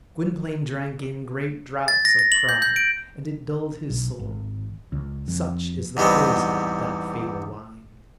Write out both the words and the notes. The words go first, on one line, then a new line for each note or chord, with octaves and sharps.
Gwynplaine drank in great draughts of pride, and it dulled his soul. Such is the poison of that fatal wine.
A6
A#6
A#6
F#7
G6
G6
D7
B1
G#1
C#2
F2
E2 G#2 G3 B3 C4